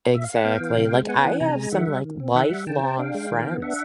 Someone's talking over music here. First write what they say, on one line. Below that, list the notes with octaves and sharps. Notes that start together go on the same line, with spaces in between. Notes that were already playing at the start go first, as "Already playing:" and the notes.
Exactly, like, I have some, like, lifelong friends
E5
F5
F#5
B3 F5 G5
E3
C3
G#3
B3 F#5 G#5
E3
C3 G#5 A#5
G#3
D#3 E5 F#5
G3
D#3
C4
D#3 E5 F#5
G3
D#3 G5 A5
C4
D4 F5 G5
G#3
D#3
B3
D4 E5 F#5